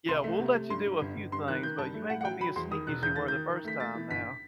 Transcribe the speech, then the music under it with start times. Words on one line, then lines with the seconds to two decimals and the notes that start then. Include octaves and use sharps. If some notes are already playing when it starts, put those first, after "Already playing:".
Yeah. "We'll let you do a few things, but you ain't gonna be as sneaky as you were the first time now."
0.09 C2 C6
0.24 A3
0.39 C3
0.54 A3
0.70 G2 C6
0.86 G2
1.01 G1
1.17 G1
1.32 G2 C6
1.48 D#3 F#6
1.63 D#3 G6
1.78 G2 A5
1.94 A3
2.10 A2 F#5
2.21 F#5
2.25 F#3 G5
2.40 F#3 B5
2.56 E2 C6
2.71 D#3 D#6
2.87 E1 F#6
3.02 E2 G6
3.16 D#3 A6
3.28 G6
3.33 D#3
3.49 D#3
3.64 A3 B6
3.80 A3 A6
3.95 E3
4.11 G1 B6